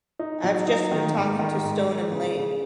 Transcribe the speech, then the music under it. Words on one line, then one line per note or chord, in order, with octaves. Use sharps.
I've just been talking to Stone and Lane.
D#4
F#3
D#4
D#3
G#2
D#3
G#2
G#3
C#3
C#3